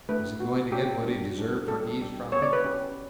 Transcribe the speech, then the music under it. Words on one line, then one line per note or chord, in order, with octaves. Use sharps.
Was he going to get what he deserved for eavesdropping?
A3 D4 G4 B4
B3 F#4
C#4 F#4 G4
G3 D4 F#4
G3 D4 F#4
G3 C#4 G4 A4
G3 D4 G4
B3 F#4 C#5
D5
B4
C#4 G4